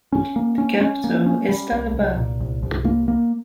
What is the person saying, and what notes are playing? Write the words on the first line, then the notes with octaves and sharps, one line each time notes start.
The capital is Dalaba.
C#4
A#3
C#4
C#4
A#3
C#4
G3
C2
C2
A#2
C2
C2
A#3
A#3